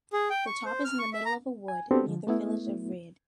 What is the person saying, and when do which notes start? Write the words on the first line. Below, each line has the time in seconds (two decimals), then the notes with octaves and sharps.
The top is in the middle of a wood, near the village of Rede.
0.13 G#4
0.30 G5
0.46 C#6
0.65 C5
0.85 F6
0.99 C#6
1.13 E5
1.25 A#5
1.68 G#5
1.91 B3 C4 D4 F#4 G4 A4
2.06 D3 F3
2.27 A3 B3 E4